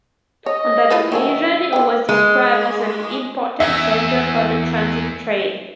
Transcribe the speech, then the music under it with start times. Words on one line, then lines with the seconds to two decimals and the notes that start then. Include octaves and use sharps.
On that occasion it was described as an "important centre for the transit trade".
0.46 C#5 D#5
0.90 E4 F4 B4
1.12 D#3 F#3 C#4 E5
1.73 D3 G5
2.09 G#3
3.60 E2 E5